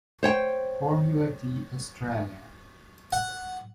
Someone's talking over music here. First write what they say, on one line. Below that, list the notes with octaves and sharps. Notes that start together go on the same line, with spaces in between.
Formula D Australia.
C5 C#5 G5
F#5